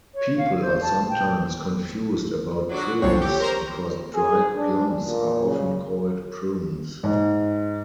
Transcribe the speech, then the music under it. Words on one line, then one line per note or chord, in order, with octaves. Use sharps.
People are sometimes confused about prunes because dried plums are often called prunes.
C#5
F5
C5
A5
G5
F#3 D4 F#4
C2 D3 C4 C#5
G4
A#4 C5 A#5
G#4
D4
A#2
C#3
G#2